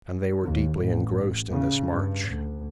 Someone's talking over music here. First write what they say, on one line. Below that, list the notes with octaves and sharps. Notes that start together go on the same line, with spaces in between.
And they were deeply engrossed in this march.
D#2
A1
C#3
G2
D2